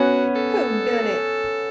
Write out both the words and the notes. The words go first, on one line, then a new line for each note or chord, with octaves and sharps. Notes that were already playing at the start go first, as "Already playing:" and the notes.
Who Done It?
Already playing: B3 C#4 F#4
A4